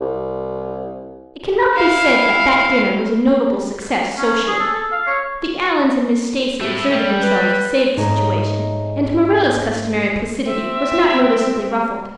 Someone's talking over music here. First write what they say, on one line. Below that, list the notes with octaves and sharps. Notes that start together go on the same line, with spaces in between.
It cannot be said that that dinner was a notable success socially. The Allans and Miss Stacy exerted themselves to save the situation and Marilla's customary placidity was not noticeably ruffled.
C2
E4 F5
C#4
G#4
A4
A4
F5
C#5
A3 E4
G3
B4
G#2 G#3 A3 D#4 C#5 A#5
C4 E5